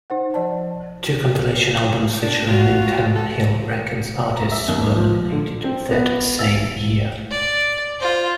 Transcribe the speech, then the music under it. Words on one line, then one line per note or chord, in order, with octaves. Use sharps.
Two compilation albums featuring Windham Hill Records artists were nominated that same year.
D#4 C5 F#5
F3 C5 D5 F#5 A5
D4
F4 F#4
A4
A#5
E5
D#2
F3
D3
C4
B3
E6
D5
F4 C5